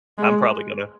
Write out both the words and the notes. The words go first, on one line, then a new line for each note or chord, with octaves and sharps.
I'm probably gonna.
G#3